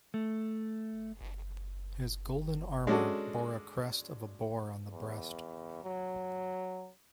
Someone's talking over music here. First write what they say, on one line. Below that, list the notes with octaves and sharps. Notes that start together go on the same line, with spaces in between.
His golden armor bore a crest of a boar on the breast.
A3
G#3 C#4 D4 F#4 A4
E2
F#3